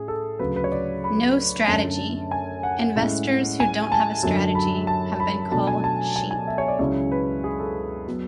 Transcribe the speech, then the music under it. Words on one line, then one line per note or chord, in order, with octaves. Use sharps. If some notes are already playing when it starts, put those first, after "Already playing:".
No strategy: Investors who don't have a strategy have been called Sheep.
Already playing: A2 C#4 G#4
A4
D2 C#3 F#3 B4
B4
C#5
D5
B5
F#2 D3 A3 C#4 A5
G#5
F#5
A2 G#3 C#4 E4
G#5
A5
F#2 D3 F#3
B5
A5
B5
B2 F#3 A3 D4 A5
G#5
A5
G#5
G#5
E5
C#5
D5
C#2 C#3 F#3 C#4 E4 C#5
B4
G#4
A4
F#3 B3